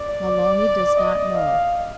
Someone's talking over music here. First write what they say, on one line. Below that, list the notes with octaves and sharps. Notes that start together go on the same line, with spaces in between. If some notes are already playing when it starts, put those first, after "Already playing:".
Maloney does not know.
Already playing: D5
D#5
F5